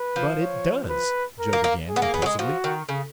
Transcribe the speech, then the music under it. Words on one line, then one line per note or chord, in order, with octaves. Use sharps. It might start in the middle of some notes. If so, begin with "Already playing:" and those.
"But it does"--Joe began, impulsively.
Already playing: B4
F3
C#5
B4
A#4
A#3
A#3
G#4
B3
A#3
B3
F#3
G#3
F3 F#4
D#3
C#3